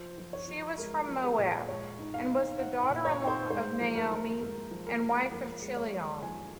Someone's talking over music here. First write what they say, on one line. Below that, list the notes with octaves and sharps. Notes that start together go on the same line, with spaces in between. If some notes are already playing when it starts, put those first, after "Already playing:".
She was from Moab and was the daughter-in-law of Naomi and wife of Chilion.
Already playing: F3 C5
F3
C#5
F3
G#3 A#4
F3
G#4
A#2
G#3 C#5
D#4
F5
D#4
D#4 F#5
F#5
A#2
C#5
D#4
C5
G#3 C5
F3
A#4
F3
G#3 A#4
F3
A#4
G#3
F3 A#4
G#3
C#5
G#3
F3 G#5